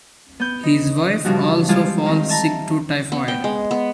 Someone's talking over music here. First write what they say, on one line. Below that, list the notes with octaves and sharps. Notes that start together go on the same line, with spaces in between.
His wife also falls sick to Typhoid.
B3 G6
D#4
G2 C#3 F3 G3 F#4
F3 G3 G#3 E4 F4 C5
D#3 C4
E5 A5 A#5
B3
G5
G#3
B3